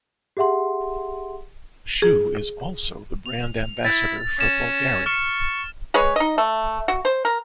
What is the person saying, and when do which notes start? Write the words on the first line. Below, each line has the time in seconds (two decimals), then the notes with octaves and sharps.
Shu is also the brand Ambassador for Bulgari.
0.37 G4 G#4 E5 F#5 C6
2.02 G#4
3.26 F7
3.85 E4 A6
4.39 C#4 A6 E7
5.06 C#6 F6 E7
5.94 G#3 G#4 B4 C#5
6.16 D#4 D#5
6.38 A3
6.88 F#4
7.05 C5
7.25 A#4